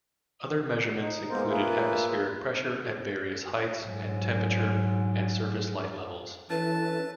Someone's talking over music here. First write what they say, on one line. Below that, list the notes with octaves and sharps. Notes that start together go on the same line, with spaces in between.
Other measurements included atmospheric pressure at various heights, and temperature, and surface light levels.
D#4
G#3 A#3 B3 A#4 C5
A#3 F4 G#4 B4 E5
G#2 F#3
E3 C#4 E4 A4 B4 A5